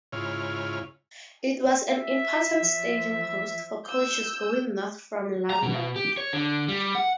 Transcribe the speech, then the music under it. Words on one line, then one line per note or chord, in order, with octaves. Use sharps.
It was an important staging post for coaches going north from London.
G#2 C#3 E4 F4 C#5 F6
E5
F3
E6 G6
A#5
B2
G4
C#5
D3
G3
F#5